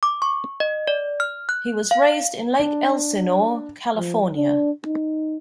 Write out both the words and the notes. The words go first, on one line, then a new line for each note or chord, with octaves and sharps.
He was raised in Lake Elsinore, California.
D6
C#6
D#5
D5
F6
F#6
F5
D4
F3
D4
D#4